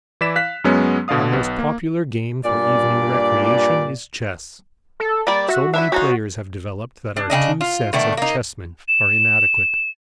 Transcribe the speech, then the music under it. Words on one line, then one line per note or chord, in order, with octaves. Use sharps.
Our most popular game for evening recreation is chess; so many players have developed that our two sets of chessmen are inadequate.
E3 E4 D5 B6 E7
F5 F#6 B6
F#2 F#3 G#3 B3 C#4
B2 D3 D5 F5 D#6
B1 B3
A#3
G2 A#2 D5
A4
G3 A#3 D5
F#4 E5
D4 E4 F#4 E5
C#4 D#4 F4 F#4
D4
C#3 C#4 D4 D#5
F4
B2 D#3 A3 D4
A#3 D#4
E7